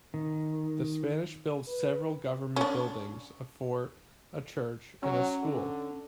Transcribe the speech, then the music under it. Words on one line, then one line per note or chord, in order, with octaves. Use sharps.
The Spanish built several government buildings, a fort, a church and a school.
D#3
B4
C#4 D4
F#3 C#4
D3